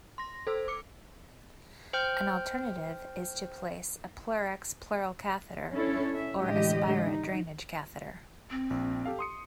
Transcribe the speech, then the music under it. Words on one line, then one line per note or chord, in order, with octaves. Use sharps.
An alternative is to place a PleurX Pleural Catheter or Aspira Drainage Catheter.
C6 A#6
A4 C5 E6
D6 C#7
C5 G5 F6 G6
C#4 D4 E4 A4 C#5
C#4 E5
A2 D3 E3 G#3 G4 D#5
D#4
C4
A#1
G4 A4 F5
C6 D#6 C#7